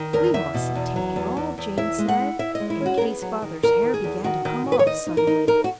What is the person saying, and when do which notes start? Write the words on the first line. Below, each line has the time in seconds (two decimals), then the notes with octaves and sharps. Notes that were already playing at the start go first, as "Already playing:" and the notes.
'We mustn't take it all,' Jane said, 'in case father's hair began to come off suddenly.
Already playing: D#3
0.13 E2 A#4
0.34 E2 E5
0.54 B2
0.75 E2
0.96 F#3
1.16 E2
1.37 E2
1.58 E2
1.78 E4 E5
1.98 G#3
2.08 F#5
2.19 E4
2.39 E4 E5
2.55 D#5
2.60 G#3
2.70 E4
2.81 C#4
2.86 F#4
2.98 A#4
3.01 B3 G#4
3.22 F#3
3.42 D#3
3.63 E2 A#4
3.83 D#3
3.94 G#4
4.04 E2
4.24 D#3 F#4
4.45 D#3
4.66 D#3
4.72 B4
4.79 C#5
4.86 D#4 D#5
5.07 D#4
5.17 A#4
5.27 D#4
5.47 D#4 A#4
5.64 F#4